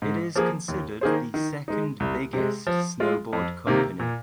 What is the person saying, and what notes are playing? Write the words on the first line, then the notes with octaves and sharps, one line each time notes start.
It is considered the second biggest snowboard company.
G#2
F3 A#3 G#4
D#2
D#3 A#3 G#4 C5
D#3
G#3 D#4
C2
C3 G#3
F3
G#3 F4
F2
C3 D#3 A#3
A#2